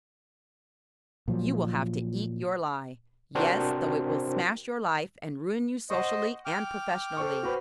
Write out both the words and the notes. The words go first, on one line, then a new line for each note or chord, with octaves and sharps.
You will have to eat your lie. Yes--though it will smash your life and ruin you socially and professionally.
A#2 F3 F#3
C3 C4 D4 F#4 A#4 C5
C5 D#5 F#5 C#6
G5 D6 F6
A4 C5 C#6
F#4 B4 C5